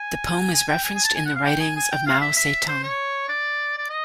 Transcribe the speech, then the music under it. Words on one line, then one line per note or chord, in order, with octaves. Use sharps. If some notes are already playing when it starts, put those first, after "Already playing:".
The poem is referenced in the writings of Mao Zedong.
Already playing: G#5
G#5
G5
G#5
G#5
A5
G#5
F#5
F5
G5
G#5
G#5
G5
F5
E5
E5
C5
C#5
D5
D5
D#5